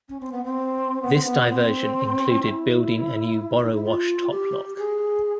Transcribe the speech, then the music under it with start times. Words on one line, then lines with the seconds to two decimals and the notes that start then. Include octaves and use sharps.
This diversion included building a new Borrowash Top Lock.
0.09 C#4
0.20 C4
0.32 B3
0.44 C4
1.02 B3
1.14 C4
1.25 B3
1.50 C4
2.43 E4
3.63 D#4
3.73 E4
3.84 F4
4.31 G4
4.78 G#4